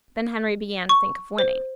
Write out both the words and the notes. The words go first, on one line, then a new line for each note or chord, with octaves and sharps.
Then Henry began to think of winning.
C#6
C5